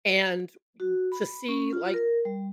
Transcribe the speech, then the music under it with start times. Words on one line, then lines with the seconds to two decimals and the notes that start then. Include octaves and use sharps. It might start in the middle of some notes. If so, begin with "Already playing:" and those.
and you to see, like,
0.80 F#4
1.12 B5
1.49 C#4
1.73 F4
1.94 A#4
2.25 G3